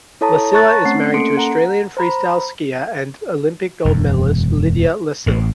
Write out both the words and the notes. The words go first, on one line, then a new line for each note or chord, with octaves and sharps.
Lassila is married to Australian freestyle skier and Olympic gold medalist Lydia Lassila.
E4 A4 C#5 A5 A#5 D#6
C#5 A5 A#5 C#6 F#6 A6
A3 C4 C#4 F#5 C7
A#3 C#4 A4 C6 C#7 D7
F#5 A#5
C5 A#5 B5
E1 F#2
A1 A2